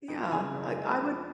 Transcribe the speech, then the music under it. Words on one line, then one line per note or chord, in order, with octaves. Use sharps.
Yeah, I I would
F2
C#3 G#5
F#1
G#3
F2